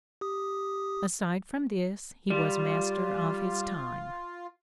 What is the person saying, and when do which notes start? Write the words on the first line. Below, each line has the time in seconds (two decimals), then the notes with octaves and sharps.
Aside from this, he was master of his time.
0.21 G4 D#6
2.30 G3 F4